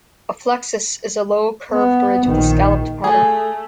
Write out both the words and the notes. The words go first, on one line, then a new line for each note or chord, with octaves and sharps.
A flexus is a low, curved ridge with a scalloped pattern.
B3
A#1 D#3
A3 G#4 A4